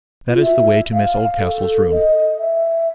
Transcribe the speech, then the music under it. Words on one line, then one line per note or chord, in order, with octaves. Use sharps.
That is the way to Miss Oldcastle's room.
F4
E5
F5
A4
D#5
E5